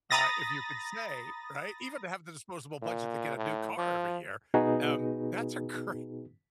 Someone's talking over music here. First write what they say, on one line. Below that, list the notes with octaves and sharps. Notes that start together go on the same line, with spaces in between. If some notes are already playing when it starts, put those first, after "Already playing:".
Uh, if you could say, right? Even to have the disposable budget to get a new car every year, um, that's a great
A#5 B5 D#6 A6 A#6
A#2
A2
F3
B2 B3 D#4 F#4 G#4 B4